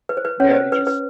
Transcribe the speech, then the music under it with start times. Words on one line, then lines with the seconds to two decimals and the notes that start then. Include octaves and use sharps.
Yeah, you just
0.09 B4
0.17 C5
0.25 B4
0.40 C#4 C#5
0.51 B4
0.55 C5
0.72 B4
0.87 B4